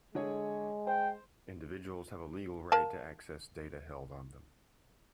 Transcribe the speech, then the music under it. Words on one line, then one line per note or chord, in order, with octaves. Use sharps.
Individuals have a legal right to access data held on them.
D3 G#3 G#4 C#5
C5 G5
A#4 F5 A5